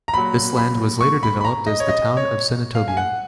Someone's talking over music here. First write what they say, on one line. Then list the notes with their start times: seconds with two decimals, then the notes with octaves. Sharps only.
This land was later developed as the town of Senatobia.
0.08 A#5
0.14 A#2 F#3 B5
0.58 B5
1.01 C#6
1.23 B5
1.41 B5
1.45 A#5
1.66 D#5
1.80 C#5
1.88 D#5
2.17 C#5
2.75 F5
2.88 G#5
2.97 F#5